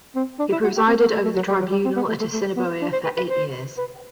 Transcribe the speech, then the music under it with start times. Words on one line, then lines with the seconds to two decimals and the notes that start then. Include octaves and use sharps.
He presided over the tribunal at Assiniboia for eight years.
0.16 C4
0.39 D4
0.52 E4
0.64 F#4
0.77 G4
0.88 C4
1.01 B3
1.12 A3
1.25 A3
1.36 F#3
1.48 G3
1.61 F#3
1.72 G3
1.85 C4
1.96 B3
2.09 A3
2.21 A3
2.33 A3
2.56 B3
2.82 D4
2.93 C5
3.05 B4
3.17 B4
3.29 C5
3.78 B4